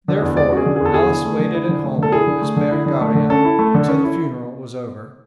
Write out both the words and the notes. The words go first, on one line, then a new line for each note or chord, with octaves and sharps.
Therefore, Alice waited at home with Miss Berengaria until the funeral was over.
D3
E2
G#3 D5
C#4 F#4
G#4
D3
G#4
E2
A4
E4 G#4
D3
A3
D3
E4
D3
A3
D3 A4
E4 G#4
D3
A3
D3
E4
D3
A3
D3
C#4 A4
E4
A3
D3
C#4
E4